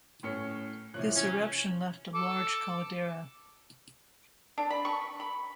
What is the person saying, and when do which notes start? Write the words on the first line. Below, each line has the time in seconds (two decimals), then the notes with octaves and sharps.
This eruption left a large caldera.
0.23 A2 C#4 C#7
0.94 C3 E3 F3 C#5 F#6
1.16 C#4 G#6
2.14 A4 D6
4.58 D4
4.70 B5
4.85 C#6
5.20 B5